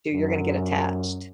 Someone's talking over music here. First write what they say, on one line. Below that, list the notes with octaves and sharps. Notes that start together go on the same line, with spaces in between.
you you're gonna get attached.
F#2